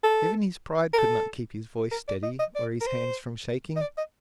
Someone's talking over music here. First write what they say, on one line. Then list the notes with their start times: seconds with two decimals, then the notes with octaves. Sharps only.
Even his pride could not keep his voice steady or his hands from shaking.
0.04 A4
0.93 A#4
0.98 A4
1.92 A#4
2.08 D5
2.23 D#5
2.39 D#5
2.56 D5
2.81 A#4
2.87 C5
3.76 D#5
3.81 D5
3.98 D#5